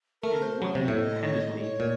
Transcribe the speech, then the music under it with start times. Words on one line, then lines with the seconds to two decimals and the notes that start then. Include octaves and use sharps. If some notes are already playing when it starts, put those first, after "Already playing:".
people working independently,
0.22 A3 A#4
0.42 C5
0.62 F#3 C5
0.75 C3
0.82 C#5
0.88 A2
1.02 D#5
1.21 C#5
1.41 D#5
1.61 C#5
1.80 A#2